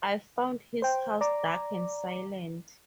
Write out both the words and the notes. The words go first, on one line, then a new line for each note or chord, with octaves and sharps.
I found his house dark and silent.
C5 G5
D5 A#5 D6